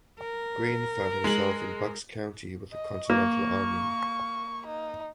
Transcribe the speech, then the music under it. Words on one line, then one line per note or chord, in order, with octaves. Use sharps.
Greene found himself in Bucks County with the Continental Army.
A#4
G#3 F#7
D#5
A#3 C#6
D#4